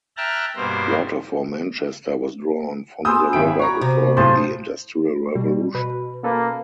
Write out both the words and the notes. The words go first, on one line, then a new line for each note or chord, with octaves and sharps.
Water for Manchester was drawn from the river before the Industrial Revolution.
E5 G5 A5 A#5 F6 F#6
G2 B2 A#3 C5
B3 G#4 C5 D#6 E6 G6
G#1 E4 G5 B5 D7
F#4 C#5 A#5
C3 A#5
B1 A2 C5 A5 D#6
B2 G3
B2 B4
A#3 C#4 A4 B4